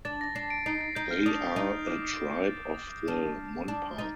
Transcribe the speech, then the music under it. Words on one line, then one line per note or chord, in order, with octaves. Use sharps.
They are a tribe of the Monpa.
D4 A6
A#6
D4 C7
D7
D#4 C7
A6
D#4 G6
F6
D4 D#6
D#4 D#6
D6
D#6
F6
G6
A6
G6
A6
G6
D4 F6
F6
D4
D#4 A6